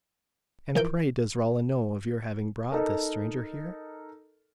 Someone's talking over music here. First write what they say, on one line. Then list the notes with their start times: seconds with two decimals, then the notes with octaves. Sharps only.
"And, pray, does Rowland know of your having brought this stranger here?"
0.75 E3 F3 A#4 G6 D7
2.72 D#4 A4 A#4